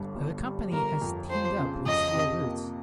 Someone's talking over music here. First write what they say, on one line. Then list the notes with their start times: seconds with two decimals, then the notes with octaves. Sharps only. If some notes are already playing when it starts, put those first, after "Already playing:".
The company has teamed up with SteelRoots.
Already playing: G1 G2
0.16 G1
0.45 G3
0.72 G1 A#4
1.01 F2
1.29 F3 C5
1.58 C#3
1.86 F2 D#5
2.14 C3
2.43 A#3